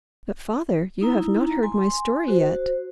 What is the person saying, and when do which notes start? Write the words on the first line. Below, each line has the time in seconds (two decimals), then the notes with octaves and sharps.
"But, father, you have not heard my story yet."
1.01 D#4 E4 A#5
1.63 G#5 C6
2.28 F#4 C5